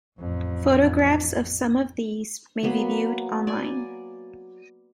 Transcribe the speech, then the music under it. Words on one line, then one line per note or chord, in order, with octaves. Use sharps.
Photographs of some of these may be viewed online.
A1 F2
F#3 A#3 B3
D5 G#5